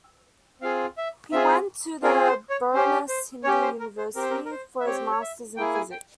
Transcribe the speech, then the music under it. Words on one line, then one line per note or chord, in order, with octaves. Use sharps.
He went to the Benaras Hindu University for his Masters in Physics.
C4 F4 G#4 F5
E5
C4 F4 G#4 E5
C4 F4 G#4 A#4
C5
C#5
C#4 G4 C5
C5
C#4 G4 C#5
C5
A#4
C5
C4 G4 A#4
C5
A#4
A#4
C5
E5
C4 G4 C#5
C#5
E5
A#3 E4 G#4 G5
G#5
G5